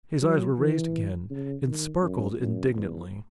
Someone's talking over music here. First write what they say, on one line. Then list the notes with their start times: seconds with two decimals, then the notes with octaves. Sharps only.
His eyes were raised again, and sparkled indignantly.
0.22 F#3
0.58 E3
1.30 C#3
1.66 D#3
2.02 F#2
2.39 F#2
2.75 E2